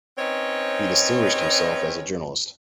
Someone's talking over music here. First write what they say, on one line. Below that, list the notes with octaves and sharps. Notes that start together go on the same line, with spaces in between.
He distinguished himself as a journalist.
C4 C#4 D#4 B4 C#5